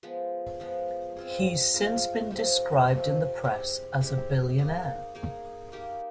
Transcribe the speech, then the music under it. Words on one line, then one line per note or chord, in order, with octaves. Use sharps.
He's since been described in the press as a billionaire.
F3 G#3 B3
F3 G#3 B3
G#3 C4 F4 G#4
G#3 C4 F4 G#4
C3 F3 A3 C4
C3 F3 A3 C4
G#3 C4 E4 G4
G#3 C4 E4 G4
A#3 D#4 G#4
A#3 D#4 G#4
A#3 D#4 G4 A#4